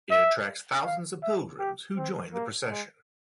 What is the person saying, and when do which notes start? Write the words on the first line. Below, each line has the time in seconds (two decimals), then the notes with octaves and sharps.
It attracts thousands of pilgrims who join the procession.
0.11 E5
0.85 F5
1.23 E5
1.59 G4
1.97 C4
2.34 A#3
2.70 G#3